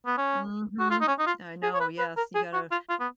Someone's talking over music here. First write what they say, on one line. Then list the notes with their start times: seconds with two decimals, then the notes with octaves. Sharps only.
Mhm, I know, yes, you gotta
0.06 B3
0.18 C#4
0.80 F#4
0.91 F4
1.01 D#4
1.08 C#4
1.19 D#4
1.27 F4
1.63 G#4
1.74 C#5
1.80 B4
1.99 B4
2.17 A#4
2.35 G#4
2.53 F#4
2.71 F4
2.90 F4
3.00 B3